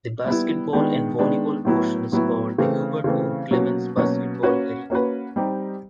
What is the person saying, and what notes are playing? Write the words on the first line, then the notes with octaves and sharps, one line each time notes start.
The basketball and volleyball portion is called the Hubert O. Clemmons Basketball Arena.
G3 B3 E4
D#3 G#3 B3 D4
D#3 G#3 B3 D4
A2 F#3 B3 E4
A2 F#3 B3 E4
C#3 E3 A3 C4
C#3 E3 A3 C4
B2 F#3 A#3 C#4 F#4
B2 F#3 A#3 C#4 F#4
A#3 C#4 F#4 B4
A#3 C#4 F#4 B4
G3 C4 D#4 G4